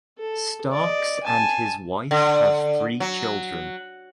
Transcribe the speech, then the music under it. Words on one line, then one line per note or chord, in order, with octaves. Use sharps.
Starks and his wife have three children.
A4
D5 D#5
G#5 A5
D3
F#3